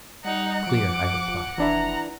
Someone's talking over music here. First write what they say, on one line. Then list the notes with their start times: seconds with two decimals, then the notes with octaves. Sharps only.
"Clear," I replied.
0.25 G3 D#4 F#5
0.67 F3 D6
1.58 F1 E3 D4 E4 A#5